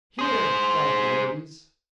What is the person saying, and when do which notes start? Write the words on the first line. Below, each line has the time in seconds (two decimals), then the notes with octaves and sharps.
"Hear!" cried the ladies.
0.19 G#4 C5